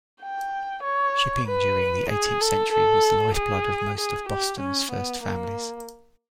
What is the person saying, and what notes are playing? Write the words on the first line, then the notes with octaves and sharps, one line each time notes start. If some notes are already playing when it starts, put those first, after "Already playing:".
Shipping during the eighteenth century was the lifeblood of most of Boston's first families.
G5
C#5
B4
G#4
A4
A4
G#4
G#4
G4
C#4
B3
A#3